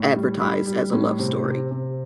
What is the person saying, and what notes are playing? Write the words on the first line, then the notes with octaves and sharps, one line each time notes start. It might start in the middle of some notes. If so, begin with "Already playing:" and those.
advertised as a love story,
Already playing: A2
G3
G3 B5
G3
A2
C3
C3
C3